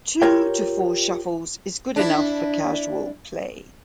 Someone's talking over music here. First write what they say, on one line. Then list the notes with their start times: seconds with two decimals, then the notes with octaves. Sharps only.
Two to four shuffles is good enough for casual play.
0.22 F4 G4 A#4 C#5 G5
1.96 D4 E4